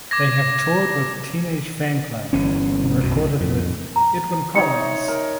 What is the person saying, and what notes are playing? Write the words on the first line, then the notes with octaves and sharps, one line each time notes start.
They have toured with Teenage Fanclub and recorded with Edwyn Collins.
D6 G#6 A#6
G1 E3 C#4
B1 F#2 B2
F2 A2
A#5
D#4 C5 C#5 C#7
E5
A#4